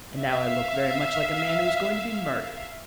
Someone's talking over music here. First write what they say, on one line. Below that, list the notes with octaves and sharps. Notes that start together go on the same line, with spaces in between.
"And now I look very much like a man who is going to be murdered."
E5 F5